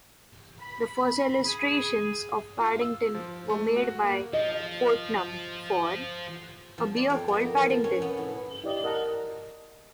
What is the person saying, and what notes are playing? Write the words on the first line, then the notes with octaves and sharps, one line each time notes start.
The first illustrations of Paddington were made by Fortnum for "A Bear called Paddington".
B5
G#4
F4
E6
F3
A3
F#4
A#3
F3 D#5
F3
D5
F2
B3
A#3
F3
F3
C#4
B3
A2
E4 G4 D5 D#5
A#4 D#5 F#5 A5 A#5